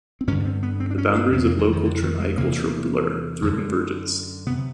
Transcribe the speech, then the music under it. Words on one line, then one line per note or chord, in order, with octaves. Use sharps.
The boundaries of low culture and high culture blur, through convergence.
C4
G2 D3 C#4
C4
B3
C4
D4
C#4
D4
F2 C3 C#4
A#3
E3
D#3
D3
D#3
G#3
E2 C3 A#3
F#2 D3
C3 B3